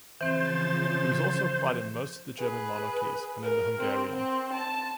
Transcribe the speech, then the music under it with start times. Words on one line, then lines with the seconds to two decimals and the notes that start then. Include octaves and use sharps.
It was also applied in most of the German monarchies and in the Hungarian.
0.21 C#3 E3 F3 C4 C5 A6
2.39 G#4 B4
3.43 A#4
3.81 C4
4.14 C4
4.53 A5